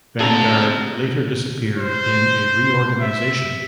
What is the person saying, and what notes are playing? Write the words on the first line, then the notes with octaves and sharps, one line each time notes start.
Vanguard later disappeared in a reorganization.
D2 C3 G#4 A4 A#5
C5
E5